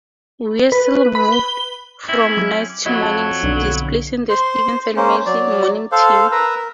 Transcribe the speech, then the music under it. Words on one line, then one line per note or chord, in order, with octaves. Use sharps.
Weasel moved from nights to mornings, displacing the Stevens and Medley morning team.
B4
B5
G7
C4 C#4 E4
F#3 G6
D6
F2 F#3 E4 F#4 D#5
A5
B1 D3
C5 C6
A#3 C#4 C5
F#3 D5
A4 C5 F5
A#4 B4 A#5 E6
A#4